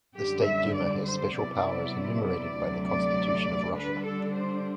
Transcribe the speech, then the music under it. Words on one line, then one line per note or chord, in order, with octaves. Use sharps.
The State Duma has special powers enumerated by the Constitution of Russia.
F#2 D3 G3 G4
E5
D5
C5
C3 F#3 B3 E4 D5
D5
D2 C3 F#3 A3
D5
D3 G3 D4 B4
A4
C5